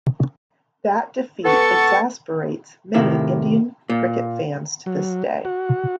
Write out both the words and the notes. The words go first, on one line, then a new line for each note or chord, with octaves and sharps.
That defeat exasperates many Indian cricket fans to this day.
B3 A4 A5 C#6
A2 C3 D#3 E4
A#2
F#3
F#4